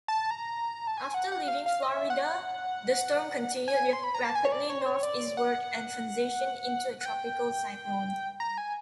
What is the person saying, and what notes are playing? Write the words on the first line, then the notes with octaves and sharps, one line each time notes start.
After leaving Florida, the storm continued rapidly northeastward and transitioned into a tropical cyclone.
A5
A#5
A5
G#5
F#5
F#5
F5
F5
D#5
E5
F#5
G#5
C6
B5
A#5
A5
G#5
C#5
D5
C#5
C5
C#5
D5
F#5
F#5
G5
A#5
G#5